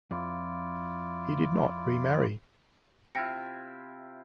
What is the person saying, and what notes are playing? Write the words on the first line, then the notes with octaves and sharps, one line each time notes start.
He did not remarry.
F2 E4 F4 D5
C3 E4 F4 G5 A#6 C#7